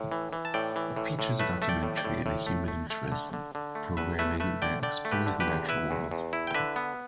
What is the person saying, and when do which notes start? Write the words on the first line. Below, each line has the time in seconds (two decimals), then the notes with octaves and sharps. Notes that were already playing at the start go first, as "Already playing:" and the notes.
It features documentary and human interest programming that explores the natural world.
Already playing: A2
0.12 E3
0.33 E3
0.45 A5
0.54 A2 D5 G5
0.76 E3
0.96 A2
1.19 A2
1.39 A3 B4 E5
1.62 A3 E5
1.69 D5 G5
1.83 A2
1.97 D5 G5
2.04 A2
2.26 A2
2.47 A3
2.68 A3
2.90 A3
3.12 D3
3.33 D3
3.55 D3
3.75 A3
3.97 E2 B4 E5
4.19 A3 B4 E5
4.40 A3 B4 E5
4.62 D3 D5 G5
4.83 D3 D5 G5
5.05 A3
5.12 G4 B4
5.26 D3
5.40 G4 B4
5.48 E2
5.69 E4 B4 E5
5.91 E2
6.11 E2
6.33 E4
6.47 G5
6.54 D3 B4 E5
6.76 B3